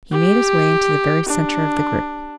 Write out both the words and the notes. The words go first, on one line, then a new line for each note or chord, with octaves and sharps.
He made his way into the very centre of the group.
G4
D4